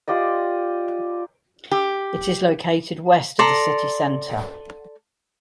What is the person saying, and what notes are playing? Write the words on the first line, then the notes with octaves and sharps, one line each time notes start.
It is located west of the city center.
F4 G4 D5 D#5
G4
A4 D5 A#5 C6